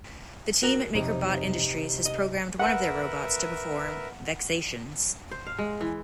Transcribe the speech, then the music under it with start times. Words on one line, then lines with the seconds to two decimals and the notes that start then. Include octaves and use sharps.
The team at MakerBot Industries has programmed one of their robots to perform "Vexations".
0.63 F#4 A#4
0.95 B1 F2 C3 D#4
2.05 D#5
2.59 A#4 B4 E5 F#5
5.31 C5
5.46 F5
5.59 G#3
5.81 E3